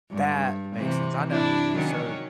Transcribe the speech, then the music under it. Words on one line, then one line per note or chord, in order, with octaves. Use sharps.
That makes sense, I know who he is, so
G2
C3 E3 C4
D4 E4
D#3 F#3 C#4